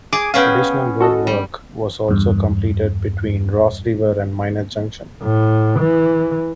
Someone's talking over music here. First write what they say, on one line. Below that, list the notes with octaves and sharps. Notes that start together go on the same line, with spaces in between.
Additional road work was also completed between Ross River and Miner Junction.
G#4 D6
B3 C#4 G#4 F5 G5
F#4 A4 D#5
G3
E2 G2
A2
E3